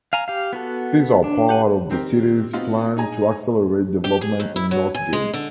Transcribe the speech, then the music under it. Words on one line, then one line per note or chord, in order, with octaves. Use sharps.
These are part of the city's plan to accelerate development in Northgate.
F5 G#5 A#5
G4 F5
B3 F#4 A4
D4
G4 F#5 G#5
D#3 C4 G4 A#4
B3 C4 D#4 F4 F#4
D#4 G#4 G#5 A#5
G4
G#4
D#2
E4
F#3
G#5
G#3
D3